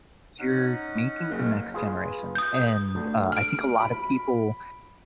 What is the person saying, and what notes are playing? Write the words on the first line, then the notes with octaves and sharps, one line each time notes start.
you're making the next generation, and, uh, I think a lotta people,
C#4 D#4 F#5
F#1
F4 G#4 B4
D#6 G6
D2 D3
F6 D7
B5